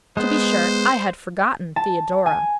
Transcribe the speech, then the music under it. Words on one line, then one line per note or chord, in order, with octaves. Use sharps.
"To be sure; I had forgotten Theodora."
G#3 B3 C5
A5
G#5